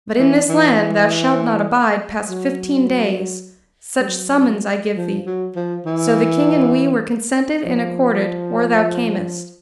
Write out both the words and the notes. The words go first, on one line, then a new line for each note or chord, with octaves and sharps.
But in this land thou shalt not abide past fifteen days, such summons I give thee: so the king and we were consented and accorded or thou camest.
E3
E3
F#3
G3
F#3
F3
F#3
F3
E3
F3